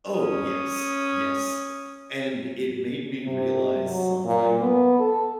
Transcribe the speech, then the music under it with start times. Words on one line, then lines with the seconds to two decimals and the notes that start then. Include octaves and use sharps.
Oh, yes. Yes. And it made me realize something
0.20 C#4 D#6
3.25 C3
3.87 F#3
4.25 A#2
4.60 B3
4.99 A4